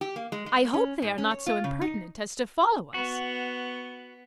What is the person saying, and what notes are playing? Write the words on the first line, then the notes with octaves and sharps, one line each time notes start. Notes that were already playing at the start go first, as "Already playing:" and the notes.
I hope they are not so impertinent as to follow us.
G4
A#3
G#3
G#3
C#4
G#2
C#4
C#5
F4
C#3
D#4
B3 F#4